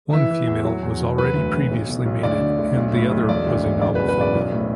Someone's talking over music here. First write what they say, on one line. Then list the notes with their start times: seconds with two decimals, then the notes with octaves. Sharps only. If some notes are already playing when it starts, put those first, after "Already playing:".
One female was already previously mated and the other was a novel female.
0.13 E3 E5
0.30 E3
0.48 E2
0.65 F#3
0.83 E2
1.00 E1
1.18 F#3 B4
1.36 D2
1.53 E1
1.71 B1
1.89 B2
2.06 B1
2.23 D2 D5
2.40 D3
2.59 D2
2.76 B1
2.93 A2
3.11 B1
3.29 E1 D5
3.46 D2
3.64 E1
3.82 F#1 D5
3.95 B4
3.99 E2
4.09 B4
4.17 F#1 D5
4.35 B1
4.52 A2